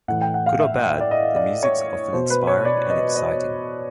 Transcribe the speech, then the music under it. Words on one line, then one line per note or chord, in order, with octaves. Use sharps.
Good or bad, the music's often inspiring and exciting.
A2 E3 F#5
G5
F#5
F5
E5
D5
D#5
D5
C#5
B2 C5
B4
C#5
D5
D#5
D#5